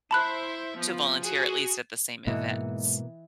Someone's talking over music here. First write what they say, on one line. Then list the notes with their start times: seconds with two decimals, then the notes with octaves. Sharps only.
to volunteer, at least at the same events.
0.11 E4 C5 E5 A5 B5 F#6
0.76 F3 B3
1.20 F#4 G#4
2.27 G#2 B2 E3 G#3 A#3 D#5 F#5